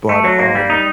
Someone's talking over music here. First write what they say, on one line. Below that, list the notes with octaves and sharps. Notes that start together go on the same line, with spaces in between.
but, um,
A3
F#3
A#3
G3
D#4